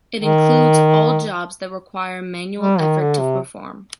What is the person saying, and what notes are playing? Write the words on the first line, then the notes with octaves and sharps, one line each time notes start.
It includes all jobs that require manual effort to perform.
D#3
G3
D#3
D3
C3